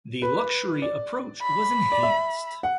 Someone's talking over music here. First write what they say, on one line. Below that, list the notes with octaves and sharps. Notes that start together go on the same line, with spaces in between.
The luxury approach was enhanced.
B4
D5
B5
D5
E5
F#5